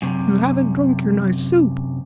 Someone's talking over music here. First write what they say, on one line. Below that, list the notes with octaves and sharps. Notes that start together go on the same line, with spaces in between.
"You haven't drunk your nice soup."
F#2 C3